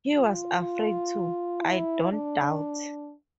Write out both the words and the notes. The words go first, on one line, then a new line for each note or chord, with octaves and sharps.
He was afraid to, I don't doubt.
F4
E4
D4